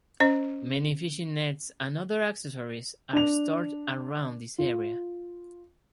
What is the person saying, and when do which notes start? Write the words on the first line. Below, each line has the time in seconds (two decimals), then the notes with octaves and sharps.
Many fishing nets and other accessories are stored around this area.
0.20 C#4 C5 D#5
3.13 D4 F7
4.58 F4